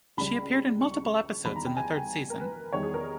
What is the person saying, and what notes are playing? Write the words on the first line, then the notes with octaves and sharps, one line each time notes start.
She appeared in multiple episodes in the third season.
C#2 C#3 G3 B5
C#6
E2 D#3 G3 B5
A#5
G5
G#5
A#4
B4
E2 D#3 G3 C#5
G#4
A#4